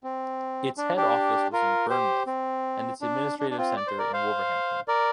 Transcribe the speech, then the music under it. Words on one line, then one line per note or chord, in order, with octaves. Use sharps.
Its head office was in Bournemouth and its administration centre in Wolverhampton.
C4
D4
D4 G4
F4 A#4
G4 C5
C4
D4
D4
D4
C4 F4
D5
C5
A#4 D5
C5 F5
A#4 D5